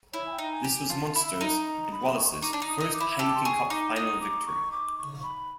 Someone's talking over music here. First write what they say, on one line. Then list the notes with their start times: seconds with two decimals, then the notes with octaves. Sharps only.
This was Munster's, and Wallace's, first Heineken Cup Final victory.
0.13 E4 C#5
0.27 G#5
0.32 G5
0.38 D#4
0.52 G#5
0.64 G4
0.71 G#5
0.90 F4 A5
1.15 E4 B5
1.41 D#4 A#5
1.66 A#5
1.92 B5
2.17 C#6
2.24 C6
2.32 C#6
2.42 D#4 D6
2.53 D4
2.62 D#4
2.68 D#6
2.81 D#4
2.93 D6
3.00 E4
3.19 G4 A4 D6
3.35 C6
3.45 G#4 C#6
3.70 D#4 D6
3.96 D#4 D#6
4.21 D6
4.46 C#6
4.72 D6
4.98 C#6
5.23 B5